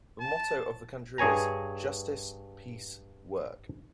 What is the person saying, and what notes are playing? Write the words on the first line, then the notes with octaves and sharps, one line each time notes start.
The motto of the country is : "Justice, Peace, Work".
A5
G2 G#4 C#5 G#5 A#5